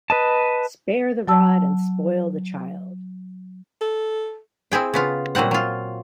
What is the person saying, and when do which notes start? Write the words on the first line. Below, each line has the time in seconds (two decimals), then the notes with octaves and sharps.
Spare the rod and spoil the child.
0.10 B4 D#5 A5
1.28 F#3 A5 E6
3.81 A4
4.72 C4 E4 G#4 G5
4.94 C#3 B3 F4
5.35 A#2 F#3 G3 C4 F#5
5.51 F#3 F4